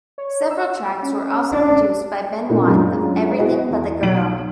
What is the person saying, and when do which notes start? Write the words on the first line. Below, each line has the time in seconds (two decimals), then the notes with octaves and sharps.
Several tracks were also produced by Ben Watt of Everything but the Girl.
0.18 C#5
0.51 E6
1.03 C#4
1.52 D4
2.49 A#2 A3 A#3 C4 D4 D#4
2.67 F#2 F#3 G#3 D4 F4 A#5
3.38 E4 F#4 G#4 D#5 E5
3.70 E2
4.02 B1 F#3 D7 F#7